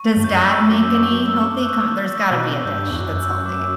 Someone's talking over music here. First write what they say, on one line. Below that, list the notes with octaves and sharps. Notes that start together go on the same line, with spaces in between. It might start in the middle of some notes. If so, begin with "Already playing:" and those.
Does dad make any healthy kin there's gotta be a dish that's healthy.
Already playing: C#6
G2
F#2 G6
E6
D6
D6
E6
F#6
G6
B2 F#6
G2 G6
E2
F#2
E6
D6